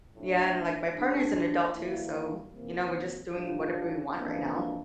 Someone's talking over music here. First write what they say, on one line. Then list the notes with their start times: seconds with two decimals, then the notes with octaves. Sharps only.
Yeah, and like, my partner is an adult too, so, you know, we're just doing whatever we want right now.
0.15 A2 F3 A3 D4
0.95 A2 G3 D4
1.74 E2 E3 A#3 E4
2.54 F2 C3 E3 A#3
3.34 A2 G3 D4 F4
4.14 F2 E3 A#3 D4